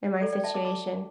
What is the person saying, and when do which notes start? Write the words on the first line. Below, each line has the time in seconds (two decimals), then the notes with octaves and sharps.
in my situation.
0.21 A4 D5
0.32 D5 G5
0.44 E5 A5
0.54 A5 D6
0.65 A5 D6